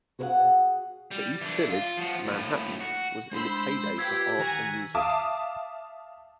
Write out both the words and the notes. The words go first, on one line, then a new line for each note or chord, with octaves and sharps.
The East Village, Manhattan was in its heyday of art and music.
F#4 G#4 B4 D#5 F5 F#5
G3
E3 D4
F4
F3 F#4
D#2 A2
F#4
G#3 D4 E4 C5 B5 C6 E6
F4 G4 A4 B4 E6 G#6 B6
D#3 F#4 G#5 A#5
E5 F5 A5 D6 D#6